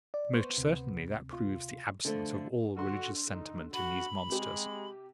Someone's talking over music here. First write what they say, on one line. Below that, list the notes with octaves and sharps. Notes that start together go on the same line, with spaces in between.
Most certainly that proves the absence of all religious sentiment in these monsters.
D5
B3 C5 C#6
D2 C3
F4
D3 F3 A3
D3 F#4 C6
D#4
F#4 B5
C3 G#3 G4